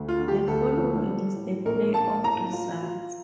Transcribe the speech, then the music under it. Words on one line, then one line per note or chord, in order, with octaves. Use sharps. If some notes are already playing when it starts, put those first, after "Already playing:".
The following is the playoff results.
Already playing: D2
F4
D3
G4
D2 A4
F3
G3
A2
A#1 A#4
A#3 A5
A2 A#5
F4
F4